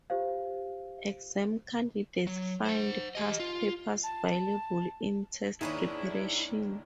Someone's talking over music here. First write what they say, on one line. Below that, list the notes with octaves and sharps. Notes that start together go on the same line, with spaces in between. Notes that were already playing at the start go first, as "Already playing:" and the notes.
Exam candidates find past papers valuable in test preparation.
F4 G4 C5 F5
F#3
C5 F#5
G4 D#5
F4
A5
D#2 G#2 D#3 D4 E4 G#4 B4 C#5